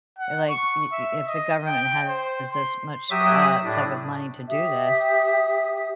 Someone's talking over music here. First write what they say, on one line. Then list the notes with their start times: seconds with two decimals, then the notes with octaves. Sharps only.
like y y if the government has this much, uh, type of money to do this,
0.18 F#5
0.50 C#6
0.92 E5
1.27 D#5
1.67 G5
2.09 C5
2.52 C6
3.11 F#3 G4 E5 D#6
3.64 A2 D4
4.48 G4 E5 D#6